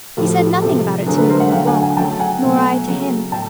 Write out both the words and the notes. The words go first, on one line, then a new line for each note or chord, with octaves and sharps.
He said nothing about it to me when we woke, nor I to him.
A2 F3 A3 G4 A4
G4 A4
C3 F3 G#3 G4 A4
D3 F#3 A3 G#4 A#4
A4 B4
A#4 C5
E5 F#5
D3 F#3 A3 F5 G5
F#5 G#5
F#5 G#5
C#3 F#3 A3 G5 A5
F#5 G#5
B2 F#3 A3
C#3 F#3 A3
A2 G5 A5